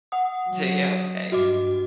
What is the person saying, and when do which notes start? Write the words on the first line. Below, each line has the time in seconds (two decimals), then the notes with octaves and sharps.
Tuh yeah, okay.
0.12 F#5 D#6
0.48 F#3
1.32 G2 F#4 D#5 D6